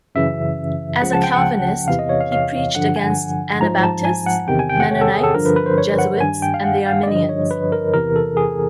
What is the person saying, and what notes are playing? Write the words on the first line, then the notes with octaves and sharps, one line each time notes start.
As a Calvinist, he preached against Anabaptists, Mennonites, Jesuits and the Arminians.
F#2 C#3 E3 E5
C#2 C#3 F3 F#5
A5
G5
F#5
E2 C3 E3 F5
D#5
C#5
F5
F5
G2 D3 F3 F#5
G#5
G#2 F3 A#5
A5
G#5
F#5
E2 C3 D#3 G5
G#5
G5
F#5
C#5
A4
G#4
A4
G2 D3 F3 A#4
B4
B4
C5
C#5
F#5
G2 D#3 G#5
G5
F5
F#5
F5
D5
G2 D3 F3 D#5
C#5
B4
A#4
E2 C3 E3 A#4
A4
G#4